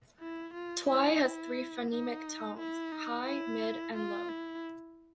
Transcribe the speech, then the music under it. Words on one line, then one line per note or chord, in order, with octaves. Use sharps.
Twi has three phonemic tones: high, mid, and low.
E4
F4
E4
E4
D#4
E4
D#4
E4
F4
E4